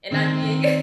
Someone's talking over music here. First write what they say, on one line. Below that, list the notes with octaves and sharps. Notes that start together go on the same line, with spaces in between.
and I'm being
D#3 C4
D#3